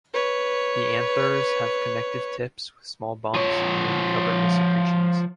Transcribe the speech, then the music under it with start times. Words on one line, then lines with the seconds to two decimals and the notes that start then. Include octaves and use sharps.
The anthers have connective tips with small bumps and may be covered with secretions.
0.14 B4 C#5
3.34 F3 C#5